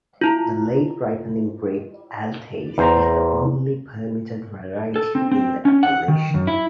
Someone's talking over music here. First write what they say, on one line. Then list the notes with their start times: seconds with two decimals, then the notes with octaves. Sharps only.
The late-ripening grape Altesse is the only permitted variety in the appellation.
0.21 E4 F4
2.78 E2 C5 A#5
4.96 A4
5.15 C4
5.32 C4
5.65 C#4
5.83 F#5
6.08 D#3
6.34 F#2
6.47 E4